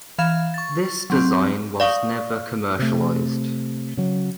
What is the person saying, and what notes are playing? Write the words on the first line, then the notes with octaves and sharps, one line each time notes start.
This design was never commercialized.
E3 F5 F6 G#6 E7
C#6 A6
F#3 C4
D5 F5 C#6 D#6
C3 A3
C#3 F#3